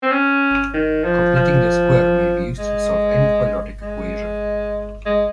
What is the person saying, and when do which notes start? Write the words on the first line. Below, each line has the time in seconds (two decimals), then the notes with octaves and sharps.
Completing the square may be used to solve any quadratic equation.
0.03 C4
0.12 C#4
0.74 D#3
1.04 F3
1.36 F3
2.59 G#3
3.82 G#3
5.06 G#3